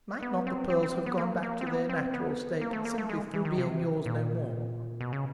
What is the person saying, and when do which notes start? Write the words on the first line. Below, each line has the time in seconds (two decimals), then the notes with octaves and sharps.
Might not the pearls have gone back to their natural state simply through being yours no more?
0.22 B3
0.47 C4
0.70 C4
0.83 C4
1.06 B3
1.18 A#3
1.43 A#3
1.61 C4
1.67 B3
1.89 C4
2.14 B3
2.61 A#3
2.73 A3
2.85 A#3
2.98 A3
3.09 G#3
3.34 E3
3.45 D#3
3.58 C3
4.06 A#2
5.01 B2
5.13 C#3